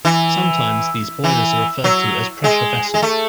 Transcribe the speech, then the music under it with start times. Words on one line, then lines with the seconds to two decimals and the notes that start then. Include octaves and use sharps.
Sometimes these boilers are referred to as pressure vessels.
0.05 E3
1.24 E3
1.84 F#3
2.44 G#3
2.94 G#3
3.02 A3